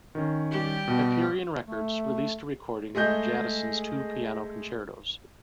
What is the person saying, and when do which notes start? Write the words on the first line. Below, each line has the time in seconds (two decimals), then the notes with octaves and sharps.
Hyperion Records released a recording of Jadassohn's two piano concertos.
0.15 D#3 C#4
0.51 G3 G4
0.88 B2
1.66 A3
2.95 G#3 A3 G#4 D#5 G6